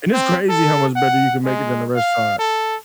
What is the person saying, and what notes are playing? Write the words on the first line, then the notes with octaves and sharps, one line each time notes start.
and it's crazy how much better you can make it than a restaurant
C4
A4
F#5
G#3
F5
A4